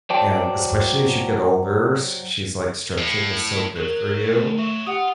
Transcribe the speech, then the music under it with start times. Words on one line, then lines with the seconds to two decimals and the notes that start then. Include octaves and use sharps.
And, especially as you get older, she's like, "Stretching is so good for you
0.10 F#3 C5 D5 G5 A5
2.98 A2
3.75 F#3 A#4 F#6
4.27 F#2 A3
4.58 F#3 E4 E5 C#6
4.87 F4 G4 F#5 D#6